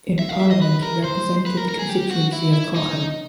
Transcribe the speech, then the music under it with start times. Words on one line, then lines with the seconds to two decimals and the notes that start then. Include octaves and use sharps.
In Parliament he represented the constituency of Cochem.
0.19 E5
0.29 F5
0.39 E5
0.51 D#5
0.62 B4
0.82 A#4
1.04 C5
1.46 B4
1.57 A#4
1.69 A#4
1.79 G#4
1.89 G4
2.11 F#4
2.33 E4
2.53 E4
2.75 D#4